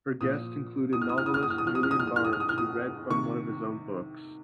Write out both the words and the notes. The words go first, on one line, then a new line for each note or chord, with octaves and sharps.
Her guests included novellist Julian Barnes, who read from one of his own books.
A#2 F3 D#6
D#6
F6
D#6
F6
D#6
F6
D#6
F6
D#6
C3 F3 F6
D#6
F6
D#6
F6
D#6
F6
D#6
F6
D#6
F6
D#6
C3 D#3 C#6